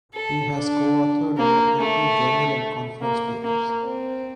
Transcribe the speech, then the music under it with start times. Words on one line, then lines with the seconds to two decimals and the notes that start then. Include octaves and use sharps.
He has co-authored over eighty journal and conference papers.
0.15 A4
0.55 D4
1.38 A#3
1.79 A3
3.01 A#3
3.43 A#3
3.84 C4